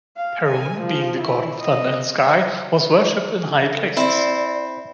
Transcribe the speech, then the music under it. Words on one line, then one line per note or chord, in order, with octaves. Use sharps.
Perun, being the god of thunder and sky, was worshipped in high places.
F5
G#5
F3
E4
D#5
A4
C4 E4 D5